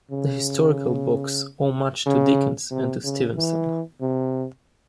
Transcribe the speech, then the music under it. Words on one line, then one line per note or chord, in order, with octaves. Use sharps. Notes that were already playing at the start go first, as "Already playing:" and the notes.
The historical books owe much to Dickens and to Stevenson.
C#3
C#3
C3
C#3
E3
C3